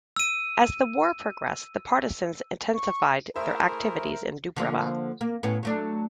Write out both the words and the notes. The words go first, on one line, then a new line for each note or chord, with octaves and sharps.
As the war progressed, the partisans intensified their activities in Dubrava.
E6 D#7
C#6
A3 E4 G#4 A#4 C5 E5
D3 F3 A#3
A#3
A2 B3 C#4
F#3 A3 D4